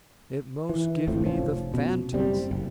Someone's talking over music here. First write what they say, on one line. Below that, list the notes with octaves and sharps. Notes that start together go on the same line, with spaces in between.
It most give me the fan-tods.
E3
G#1 F2 A2 F3
F1 F3 C#4
B2
F#1 G3 C4
F#1